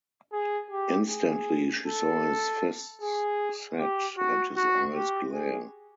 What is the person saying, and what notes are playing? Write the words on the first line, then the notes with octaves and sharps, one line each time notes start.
Instantly she saw his fists set and his eyes glare.
G#4
G4
G#4
A4
G#4
G4
F#4
F#4
G4
G#4